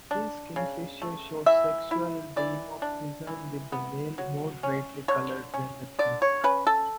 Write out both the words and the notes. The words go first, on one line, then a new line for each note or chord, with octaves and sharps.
This kingfisher shows sexual dimorphism, with the male more brightly coloured than the female.
D4
C#3
A3
E3 E5
E4
E3 D5
D4
E3
B3
F#3
C#4
D3 C#5
C#4
D3 D5
C#5
C#4 B4
A4